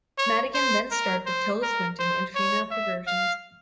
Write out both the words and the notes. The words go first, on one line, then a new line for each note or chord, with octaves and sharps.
Madigan then starred with Tilda Swinton in "Female Perversions".
C#5
C5
A#4
C5
A#4
C5
C#5
E5
F5